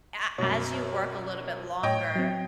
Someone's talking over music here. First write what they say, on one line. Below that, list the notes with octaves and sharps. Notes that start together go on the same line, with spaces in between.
a as you work a little bit longer,
F#2 B2 C#5
A2 C#5 D#5 G5
F#3 C4